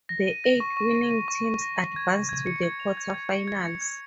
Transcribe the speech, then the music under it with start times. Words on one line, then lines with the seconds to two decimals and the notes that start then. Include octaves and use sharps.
The eight winning teams advance to the quarterfinals.
0.09 A#6
0.27 D#7
0.44 A#6
0.60 C#6
0.77 C#6
0.95 D#7
1.11 D#7
1.28 C#6
1.45 C#6
1.62 A#6
1.79 D#7
1.96 G#6
2.13 G#6
2.29 G#6
2.46 C#7
2.63 G#6
2.80 F7
2.97 G#6
3.14 G#6
3.32 C#7
3.48 G#6
3.65 C#7
3.81 G#6